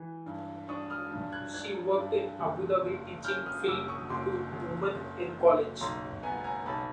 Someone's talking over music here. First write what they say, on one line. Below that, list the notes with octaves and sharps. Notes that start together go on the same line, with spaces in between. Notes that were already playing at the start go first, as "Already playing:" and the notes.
She worked in Abu Dhabi teaching film to women in college.
Already playing: E3
G2
D4 C#6 D#6
D#6 F6
G2
F#6 G#6
D4 F#6 G#6
G2
F#1
F#1
F#2 F6 G6
D#6 F6
F#1 D6 E6
C#6 D#6
F#1 C6 D6
F#1
F#1
F#1
B1 A#5 C6
B3 G#5 A#5
G#5 A#5
B1 A5 B5